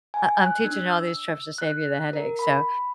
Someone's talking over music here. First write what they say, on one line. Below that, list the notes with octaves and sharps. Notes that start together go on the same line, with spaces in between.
I'm teaching you all these tricks to save you the headache. So
G#5
F#6
D4
E6
F#6
A#4
B5